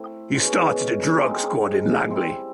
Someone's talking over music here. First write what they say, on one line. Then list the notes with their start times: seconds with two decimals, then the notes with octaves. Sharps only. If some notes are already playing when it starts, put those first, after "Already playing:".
He started a drug squad in Langley.
Already playing: A3 C4 E4
0.33 B2 G#3 C#4
1.21 G#3 C4 D#4
2.08 G3 C4 E4